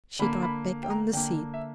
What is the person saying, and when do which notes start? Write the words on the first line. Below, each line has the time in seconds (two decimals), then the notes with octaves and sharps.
She dropped back on the seat.
0.19 D3 A#3 B5
0.43 B5
0.83 G5
0.90 A#5
1.13 D3 A#3 G5
1.54 E5